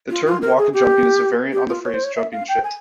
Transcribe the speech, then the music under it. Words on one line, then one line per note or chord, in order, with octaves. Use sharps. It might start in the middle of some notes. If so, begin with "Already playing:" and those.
The term waka-jumping is a variant on the phrase "jumping ship".
F4
F4
A#4
G#4
G4
G4
F4
C#5
C5
C#5
E5
F5
G5
G#5